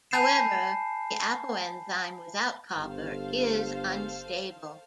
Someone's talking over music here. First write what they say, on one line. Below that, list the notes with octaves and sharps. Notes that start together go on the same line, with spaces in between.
However, the apoenzyme without copper is unstable.
G#5 A5 B5 G6 C7 E7
G1 A4 C5 F5